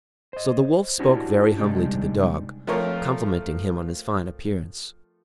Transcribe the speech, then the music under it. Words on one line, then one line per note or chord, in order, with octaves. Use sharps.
So the Wolf spoke very humbly to the Dog, complimenting him on his fine appearance.
C5 D#5
C#4 D4 E4 F#4 G4 C5
C3 G3 G#3 D4 D#4 G4
F3 A3 C4 F4 A#4 C#5